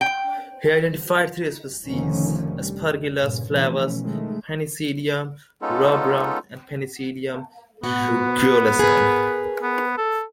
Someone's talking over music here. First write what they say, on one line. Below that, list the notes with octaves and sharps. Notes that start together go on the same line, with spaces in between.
He identified three species - Aspergillus flavus, Penicillium rubrum and Penicillium rugulosum.
G5
F1 F2 D3 D#3 F3 C#4
G3
G2 A#2 C#3
B2 E3 F3 A3 C#4
D#3 G#3 A3
G#3 B3 C#4 D#4 F4 A4
B2 B3 F#4
G#4 A#4 B4
B3
A4